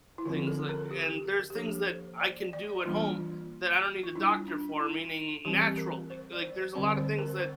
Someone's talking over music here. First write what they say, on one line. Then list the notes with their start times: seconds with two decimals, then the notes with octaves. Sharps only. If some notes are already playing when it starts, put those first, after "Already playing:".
things, like and there's things that I can do at home that I don't need a doctor for, meaning, naturally, like there's a lotta things that
0.18 E4
0.25 D3 F3 C4 F4
0.47 A4
0.69 A#4
0.91 G4
1.50 G4
1.55 F3 A#3 D4 A4
1.88 C5
2.21 D5
2.53 D5
2.86 E3 G3 A#3 D4 F4
4.03 F4
4.15 G3 D4 E4
4.48 D4
4.80 E4
5.45 E3 G3 C4 G4
5.77 A#4
6.10 C5
6.33 D5
6.42 C5
6.75 D3 G3 C4 D5
6.97 C5
7.18 A#4
7.40 C5